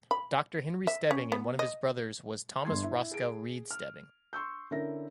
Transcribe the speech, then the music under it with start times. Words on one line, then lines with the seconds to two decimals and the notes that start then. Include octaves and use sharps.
Doctor Henry Stebbing and one of his brothers was Thomas Roscoe Rede Stebbing.
0.11 B5
0.87 E5
1.11 C#4
1.32 B3
1.59 D#5
2.65 G1 G2 C6 G#6
2.84 E4 E5
3.11 G#4 D7
3.71 F6
4.33 C6 C#6 E6 G6
4.71 D3 C#4 E4 A#4 E5 A#6